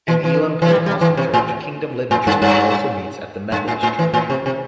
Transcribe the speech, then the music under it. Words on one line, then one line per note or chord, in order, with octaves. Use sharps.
An Elim Pentecostal Church, Kingdom Living Church, also meets at the Methodist church.
E3
E3
E3
G3
G3
E3
C3
A2
A2
G2
G2
G2
A2
A2
E3
A2
C3
C3